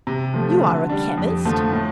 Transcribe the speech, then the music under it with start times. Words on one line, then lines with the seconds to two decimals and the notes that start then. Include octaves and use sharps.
"You are a chemist?"
0.07 C3
0.34 F3 A3
0.61 D3
0.90 G3 D4
1.17 F2
1.45 D3 F3 A3
1.72 A2